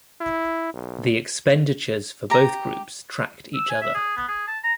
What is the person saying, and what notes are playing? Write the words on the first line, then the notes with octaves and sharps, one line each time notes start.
The expenditures for both groups tracked each other.
E4
B1
G4 A#5
E6
G#5
E5
G#4
B3
G#4
A5
A#5